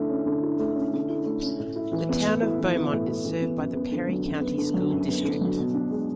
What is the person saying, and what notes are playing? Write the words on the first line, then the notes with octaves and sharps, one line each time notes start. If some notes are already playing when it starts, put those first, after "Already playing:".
The Town of Beaumont is served by the Perry County School District.
Already playing: D3 A3 E4
C#4
D3
E4
A3
C#4
D3
E4
A3
C#4
A2
E4
E3
B3
A2
E4
E3
B3
A2
E4
E3
B3
F#2
B3
D3
F#3
F#2
B3
D3
F#3
F#2
B3
D3
F#3
B2
D4
G#3